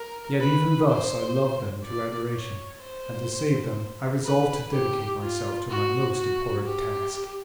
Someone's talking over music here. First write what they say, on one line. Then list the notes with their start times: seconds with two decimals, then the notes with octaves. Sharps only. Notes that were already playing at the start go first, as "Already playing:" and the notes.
Yet even thus I loved them to adoration; and to save them, I resolved to dedicate myself to my most abhorred task.
Already playing: A#4
0.40 B4
0.89 C5
1.84 D5
2.33 C#5
2.81 C5
4.25 B4
4.73 G4
5.21 F4
5.70 F#4
6.18 F#4
6.65 G4